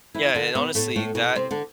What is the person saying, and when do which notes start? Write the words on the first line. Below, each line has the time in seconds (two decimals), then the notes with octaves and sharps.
Yeah, and, honestly, that
0.15 E3 E4
0.34 D3 D4
0.55 B2 B3
0.75 A2 A3
0.96 A2 A3
1.15 B2 B3
1.36 C3 C4
1.51 D3 D4